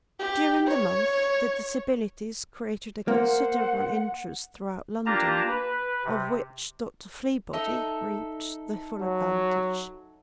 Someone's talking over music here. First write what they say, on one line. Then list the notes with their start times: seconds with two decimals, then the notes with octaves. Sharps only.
During the month the Disabilities created a considerable interest throughout London, of which Dr. Fleabody reaped the full advantage.
0.19 G4
0.67 C#5
3.08 A#3 C5 F#5
5.06 A#3 D4 F4 G4 A5 A#5
5.47 B4
6.05 C3
7.53 D#4 A4 E5
9.01 F#3